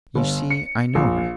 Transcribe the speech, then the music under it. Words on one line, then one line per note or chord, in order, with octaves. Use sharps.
You see I know her.'
G1
C#7
A#1